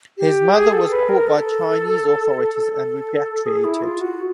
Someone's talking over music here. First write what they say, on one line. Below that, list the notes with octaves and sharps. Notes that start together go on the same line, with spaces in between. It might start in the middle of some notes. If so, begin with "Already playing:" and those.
His mother was caught by Chinese authorities and repatriated.
G4
G#4
A4
B4
A#4
A4
A4
G#4
E4
F4
F#4